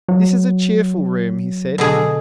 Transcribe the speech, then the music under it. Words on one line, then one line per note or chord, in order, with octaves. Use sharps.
"This is a cheerful room," he said.
F#3
B2 D3 G#4